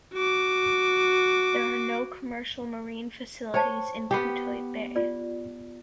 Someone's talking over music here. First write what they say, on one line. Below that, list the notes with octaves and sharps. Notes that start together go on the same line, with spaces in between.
There are no commercial marine facilities in Cotuit Bay.
F#4 D6
C5 C#5 G5 A5
B3 G4
F4 D5